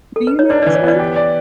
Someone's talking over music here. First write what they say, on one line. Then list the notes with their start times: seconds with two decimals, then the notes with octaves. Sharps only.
Do you know how to swim?
0.16 A4
0.27 B4
0.39 C#5
0.50 D4 B4 D5
0.62 B4 D5
0.67 E3
0.75 C#5 E5
0.83 B3 B4 D5
0.99 G4
1.16 D5